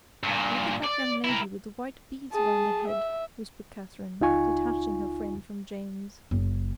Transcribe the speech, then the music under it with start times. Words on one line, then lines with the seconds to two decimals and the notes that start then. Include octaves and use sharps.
"Look at that young lady with the white beads round her head," whispered Catherine, detaching her friend from James.
0.23 G2 A#2
0.83 D5
1.24 E4 A#4
2.31 G#4 A5
2.87 E5
4.21 C#2 D#4 F4 G#5 C#6
6.31 F#1